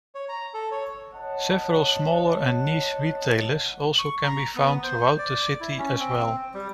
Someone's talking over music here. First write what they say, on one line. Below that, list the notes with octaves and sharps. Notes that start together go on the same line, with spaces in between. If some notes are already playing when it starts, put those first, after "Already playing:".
Several smaller and niche retailers also can be found throughout the city as well.
C#5
A#5
A4
C#5
C#5 D#5 F#5 A5
C#6
A#5
B3
C5
D5
E4
C#4
C4
G3